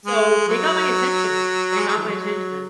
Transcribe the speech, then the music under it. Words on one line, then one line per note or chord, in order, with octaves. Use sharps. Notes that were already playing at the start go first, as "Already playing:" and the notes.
so, they got my attention. They got my attention.
G#3
F#3
G#3
F#3
E3
F#3